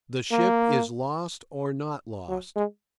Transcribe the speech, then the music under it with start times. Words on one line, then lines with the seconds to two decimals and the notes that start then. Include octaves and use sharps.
The ship is lost or not lost.
0.31 A#3
2.28 F#3
2.56 G#3